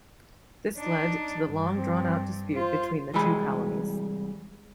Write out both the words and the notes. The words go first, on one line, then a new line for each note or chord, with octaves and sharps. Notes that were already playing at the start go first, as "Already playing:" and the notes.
This led to the long-drawn-out dispute between the two colonies.
D4 D#4
G2
C4
F4 C5
C2 E3 G3 G#3 B5